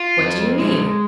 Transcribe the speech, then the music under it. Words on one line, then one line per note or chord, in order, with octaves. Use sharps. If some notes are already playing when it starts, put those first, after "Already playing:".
"What do you mean?"
Already playing: F4
F2
G#3